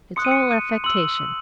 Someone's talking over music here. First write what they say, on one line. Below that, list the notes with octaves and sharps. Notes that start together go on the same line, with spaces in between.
It's all affectation.
C6 D#6 F#6 C#7
D#7
C#7
D#7
C6 E6 F#7